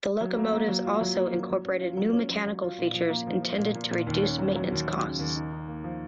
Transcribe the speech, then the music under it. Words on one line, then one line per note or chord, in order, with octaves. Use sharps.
The locomotives also incorporated new mechanical features intended to reduce maintenance costs.
F#3
A#3
A#3
F#3
F4
F#3
A#3
F#3
F#3
C#4
F4
F#3
C#4
F#3
F#3
F4
A#2
F3
A#3
F3
F3
A#2
A#2
A#2
D#2
C#4
F#3
F#3
D#2
F#3
C#3
D#2
D#4
D#4
A#3
F3